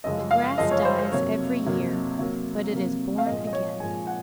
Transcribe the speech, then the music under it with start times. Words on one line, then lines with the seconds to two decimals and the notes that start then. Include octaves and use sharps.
The grass dies every year, but it is born again.
0.04 F#2 C#3 F3 G#3 D#5
0.31 F5
0.58 F#2 C#3 F3 G#3 D#5
0.71 C#5
0.85 C5
0.98 C5
1.12 F2 C3 F#3 A#3 C#5
1.65 F2 C3 F#3 A#3
2.19 C3 F#3 A#3
2.73 C3 F#3 A#3
3.18 F5
3.26 A#2 F3 G#3 D#5
3.47 D#5
3.53 C#5
3.80 A#2 F3 G#3 G#5
4.07 F#5